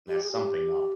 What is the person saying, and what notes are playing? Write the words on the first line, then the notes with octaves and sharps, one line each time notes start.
mess something up
G4
G#4
G4